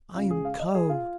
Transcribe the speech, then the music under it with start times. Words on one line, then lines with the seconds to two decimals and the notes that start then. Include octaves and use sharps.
"I am cold."
0.16 C#2 C#3 F4
0.31 G#4
0.45 F5
0.60 D#5
0.75 G#4
0.89 F4